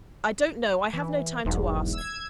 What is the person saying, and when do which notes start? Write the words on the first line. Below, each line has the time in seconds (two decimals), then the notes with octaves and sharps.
'I don't know,--I have no time to ask.
0.93 E3
1.45 E1 B1 E2 G#2
1.93 E6 G#6